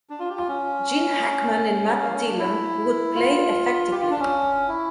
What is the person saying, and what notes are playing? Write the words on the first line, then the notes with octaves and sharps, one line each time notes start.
Gene Hackman and Matt Dillon would play effectively.
D4
F4
G4
F4
C#4
A#3
C#4
D4
E4
F4
G4
F4
D4
C#4
E4